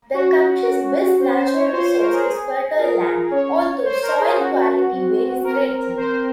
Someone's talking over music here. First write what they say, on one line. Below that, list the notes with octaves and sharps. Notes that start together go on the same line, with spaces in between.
The country's best natural resource is fertile land, although soil quality varies greatly.
C#4 F#4
C#4
C#4 C5
C5
C#5
F4 C5
C5
A#4
G#4
F4 A#4
C#4 C#5
C5
A#4
G#4
C#4 F#4
C4
C4 A#4
C4 C5